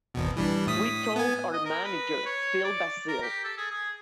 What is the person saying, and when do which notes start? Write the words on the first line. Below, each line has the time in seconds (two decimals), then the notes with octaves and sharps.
We told our manager, Phil Basile.
0.14 G#1 E2 B2
0.36 E3 G3 D4
0.67 A2 D#6 B6
1.16 B3 G#5
1.53 D#5
1.65 A#4
1.85 B4
2.26 C#5
2.64 D5
3.08 A#4
3.22 G4
3.44 A4
3.58 G#4
3.71 G#4